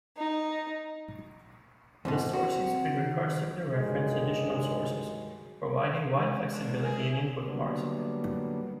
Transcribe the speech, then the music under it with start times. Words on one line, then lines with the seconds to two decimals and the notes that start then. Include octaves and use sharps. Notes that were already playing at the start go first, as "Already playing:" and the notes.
The sources could recursively reference additional sources, providing wide flexibility in input parsing.
0.17 D#4
2.05 E2 G#2 B2 C4
2.33 F#4
2.97 D#3
3.72 C#2 G2 D3 D#3 F#3 G#3
6.19 G#3 C#4
6.55 E2 D4
6.84 G#4 A#4
7.00 E4
7.44 D3 F#3 G3 A#3 B3 D4